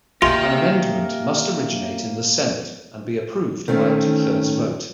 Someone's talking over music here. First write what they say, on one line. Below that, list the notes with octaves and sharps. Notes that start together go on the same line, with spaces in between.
An amendment must originate in the Senate and be approved by a two-thirds vote.
A#3 F4 G4 A#4 E5 G5 G#5
D#3 A3 C4 C#4